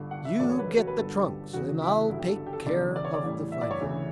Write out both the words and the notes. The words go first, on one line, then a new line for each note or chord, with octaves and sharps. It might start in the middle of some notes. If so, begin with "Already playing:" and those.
"You get the trunks, and I'll take care of the finances."
Already playing: G1 G2 D3
F#5
E5
E1 D2 D3 F#3 D5
C#5
B4
A4
F#4
B4
G1 G2 F#3 A4
G4
E1 E2 C#3 F#4
E4
G1 G2 D3 F#3 E4
G4
A4
G4
A4
E1 E2 C#3 D5
D5
C#5
D5
A1 A2 G3
E5
D5
C#5
E1 D2 C#3 E3